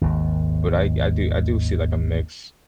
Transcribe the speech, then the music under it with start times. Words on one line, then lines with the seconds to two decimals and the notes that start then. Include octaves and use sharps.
But, I I do I do see, like, a mix.
0.01 G#1 D#2